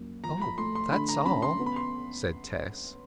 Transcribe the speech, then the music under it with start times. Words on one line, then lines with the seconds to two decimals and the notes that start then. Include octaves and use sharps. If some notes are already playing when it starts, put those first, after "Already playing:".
"Oh--that's all!" said Tess.
Already playing: F#2 A#3
0.24 F3 A#5
0.41 B5
0.58 A3 C6
0.75 C6
0.92 D3 B5
1.09 A#5
1.26 C#4 B5
1.42 C6
1.59 B3
1.66 B5
1.76 C6